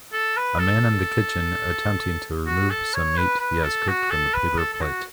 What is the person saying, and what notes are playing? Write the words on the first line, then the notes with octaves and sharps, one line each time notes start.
A man in the kitchen attempting to remove some meat he has cooked from the paper plate.
A4
B4
A4
F#4
A4
C#5
B4
B4
A4
F#4
A4
B4
A4
A4
F#4